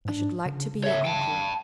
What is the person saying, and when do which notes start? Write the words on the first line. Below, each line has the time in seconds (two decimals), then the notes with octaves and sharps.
I should like to be your uncle.'
0.05 G#2 D4
0.46 C#3
0.84 C#5 E5
1.05 G5 A5